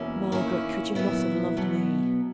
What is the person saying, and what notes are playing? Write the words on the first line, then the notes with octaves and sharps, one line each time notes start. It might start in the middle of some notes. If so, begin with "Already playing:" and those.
Margaret, could you not have loved me?
Already playing: E2 B2 A#3 C#4 E4
D#3 A#3 C#4 E4
A#2 F#3 B3 E4
B2 F#3 B3